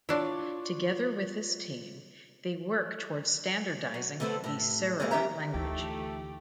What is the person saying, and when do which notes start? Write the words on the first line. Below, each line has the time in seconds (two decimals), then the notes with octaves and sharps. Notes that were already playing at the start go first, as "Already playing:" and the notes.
Together with his team, they work towards standardizing the Serer language.
0.09 D4 E4 F4 C#5 D5
3.94 F#3
4.20 D3 A3 A4 B4 C5
4.44 A2 G4
4.99 A#2 E3 F#3 G#3 A#3
5.11 C#4 G4 E5 A#5
5.54 D2 E3 A3 D#4 F4 G4